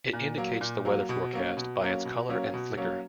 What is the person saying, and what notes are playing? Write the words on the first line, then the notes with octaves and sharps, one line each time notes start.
It indicates the weather forecast by its color and flicker.
A#2
F#3 A#3
A#2
F#3 A#3
B2
F#3 A#3 C#4
B2
F#3 A#3 C#4
B2
F#3 A#3 C#4
B2
F#3 A#3 C#4